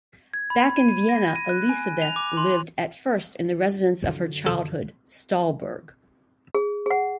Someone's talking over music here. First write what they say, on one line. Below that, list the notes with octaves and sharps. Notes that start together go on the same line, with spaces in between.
Back in Vienna, Elisabeth lived at first in the residence of her childhood, Stallburg.
G#6
B5
D#7
A#6
D#7
F#6
G#5
F7
D6
C6
F#2 D3
A4
G#4
G#4 F#5